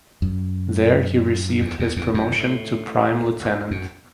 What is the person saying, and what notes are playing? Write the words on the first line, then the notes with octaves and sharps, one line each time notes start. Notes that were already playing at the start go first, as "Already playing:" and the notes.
There he received his promotion to prime lieutenant.
F#2
E2
E2
E2
F#2
A2
F#2